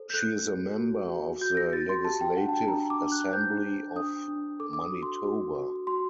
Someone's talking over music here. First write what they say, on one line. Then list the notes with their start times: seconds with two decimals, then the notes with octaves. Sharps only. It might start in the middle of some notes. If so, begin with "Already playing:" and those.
She is a member of the Legislative Assembly of Manitoba.
Already playing: A4 C5
0.10 G6
0.14 A4 F#6
0.45 F#4
0.78 F#4
1.09 F#4
1.41 F#4 G6
1.57 A#6
1.73 F#4 A6
1.89 C6
2.05 G4 A5
2.21 G5
2.37 D4 F#5
2.49 A5
2.53 G5
2.68 D4 A#5
2.90 D6
3.01 D4
3.12 F#6
3.28 F#6
3.33 C5 G6
3.64 D4
3.96 D4 D#6
4.28 D4
4.60 A4 D6
4.73 D6
4.81 D#6
4.92 F#4
5.03 C6
5.24 F#4
5.55 F#4
5.87 F#4 C6